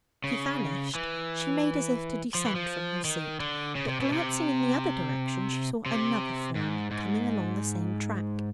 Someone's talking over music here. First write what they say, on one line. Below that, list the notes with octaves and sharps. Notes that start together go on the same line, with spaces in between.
As he vanished, she made as if to descend from her seat; but glancing in the other direction she saw another form coming along the same track.
C#3
E3
F3
E3
F3
D#3
D3
C#3
C3
B2
C3
C3
G#2
G#2